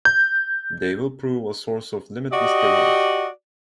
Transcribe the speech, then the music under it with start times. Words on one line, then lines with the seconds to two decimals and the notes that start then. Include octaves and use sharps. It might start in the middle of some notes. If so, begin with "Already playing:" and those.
They will prove a source of limitless delight.
0.05 G6
2.32 F#4 G4 D5 D#5